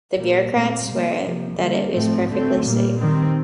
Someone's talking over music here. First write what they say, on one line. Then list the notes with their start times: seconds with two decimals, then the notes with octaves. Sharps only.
The bureaucrats swear that it is perfectly safe.
0.17 A#2 G3 A#3
0.52 A#2 A3 C4
0.86 C3 G3 A#3
1.21 C3 F3 A#3
1.57 D3 G3 A#3
1.93 A2 F3 A3 C4
2.28 D3 A3 C4
2.63 A#2 G3 A#3
2.98 D#3 G3 C4